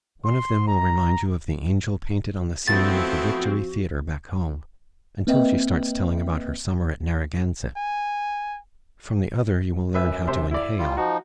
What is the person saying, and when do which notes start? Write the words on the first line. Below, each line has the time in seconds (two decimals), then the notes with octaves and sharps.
One of them will remind you of the angel painted on the ceiling of the Victory Theatre back home, until she starts telling about her summer at Narragansett; from the other you will learn how to inhale.
0.23 C6
0.67 A#5
2.68 F3 A3 B3 C4 E4 F#4 A6
5.27 A#3 C4 B4 D#5 E5 G5
7.77 G#5
9.94 F#2 B4 E5
10.27 C3 C5 E5
10.51 E4 D5
10.78 G3 F4
10.97 F3 D#4 F#4